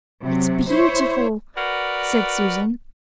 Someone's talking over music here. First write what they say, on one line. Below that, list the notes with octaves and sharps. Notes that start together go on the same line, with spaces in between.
"It's beautiful," said Susan.
C3 F#3
E4 C5 C#5
F#4 A#4 B4 D5